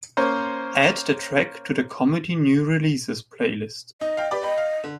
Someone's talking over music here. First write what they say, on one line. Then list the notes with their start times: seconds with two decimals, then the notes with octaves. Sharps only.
Add the track to the comedy new releases playlist.
0.17 A#3 C#4 C5
4.01 D#4 D#5
4.17 F5 G5
4.31 G4 B4 D5
4.43 D#5 G5 B5
4.58 F5
4.84 D3